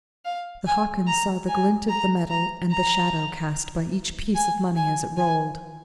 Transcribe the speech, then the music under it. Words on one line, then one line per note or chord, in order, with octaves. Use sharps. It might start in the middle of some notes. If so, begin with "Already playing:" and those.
The Hockins saw the glint of the metal, and the shadow cast by each piece of money as it rolled.
F5
G#5
A#5
G#5
A#5
A#5
A#5
G#5
G#5
G#5